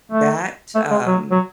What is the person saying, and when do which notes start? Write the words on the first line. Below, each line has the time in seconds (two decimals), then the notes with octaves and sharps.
that, um,
0.12 A3
0.75 A3
0.91 G#3
1.06 F#3
1.31 F#3